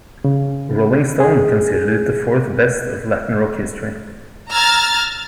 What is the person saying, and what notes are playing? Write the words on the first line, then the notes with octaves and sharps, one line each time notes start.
"Rolling Stone" considered it the fourth-best of Latin rock history.
C#3
G#4
A#5 E6 F6 G#6 A6